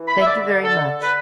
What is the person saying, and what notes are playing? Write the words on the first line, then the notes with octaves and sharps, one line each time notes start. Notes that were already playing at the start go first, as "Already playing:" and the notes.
Thank you very much.
Already playing: E3
B5
E5
D3 D5
D3 A4
D3 B4